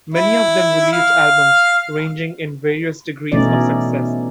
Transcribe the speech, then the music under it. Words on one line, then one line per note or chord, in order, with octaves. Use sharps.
Many of them released albums, ranging in various degrees of success.
E4
F5
B2 E3 A3 C#4 D#4 D5